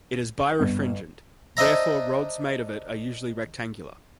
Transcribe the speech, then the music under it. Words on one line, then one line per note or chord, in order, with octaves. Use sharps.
It is birefringent, therefore rods made of it are usually rectangular.
G1
D4 C5 D#5 E5 A#5